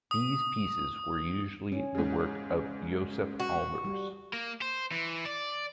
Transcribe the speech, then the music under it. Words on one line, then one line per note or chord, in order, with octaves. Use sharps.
These pieces were usually the work of Josef Albers.
D#6
C#4
G#2 C#3
F#4
G3
A#3
C5
E3
D5